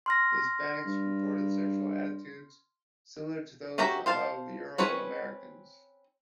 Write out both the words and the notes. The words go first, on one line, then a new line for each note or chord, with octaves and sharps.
Hispanics reported sexual attitudes similar to that of Euro-Americans.
C6 F6 A#6
G2
C#4 F#4 G4 E5 A#5
C5 F5 A5
C4 C#4 B4 C#5